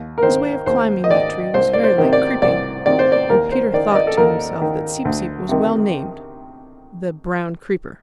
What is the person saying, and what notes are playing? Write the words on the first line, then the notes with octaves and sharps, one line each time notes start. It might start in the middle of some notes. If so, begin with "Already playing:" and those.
His way of climbing that tree was very like creeping, and Peter thought to himself that Seep-Seep was well named the Brown Creeper.
Already playing: D#2
A#4
D#3 C5
D#2 C5
D#5
D#3 D5
C2 C5
D5
C5
C3 D#3
D5
C2 D5
C3 D#3 D5
C5
D5
D#2 A#4
C5
D#3 D5
D#5
D5
A4
D#2 A#4
D#3
D2
C3 D#3